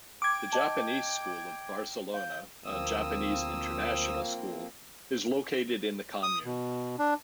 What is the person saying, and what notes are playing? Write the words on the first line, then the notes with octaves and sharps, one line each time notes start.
The Japanese School of Barcelona, a Japanese international school, is located in the commune.
G5 D6 G#6
D#5 A5
F5 G6
D2 F3 A#3 C4 D#6 E6
D#6
B2
D4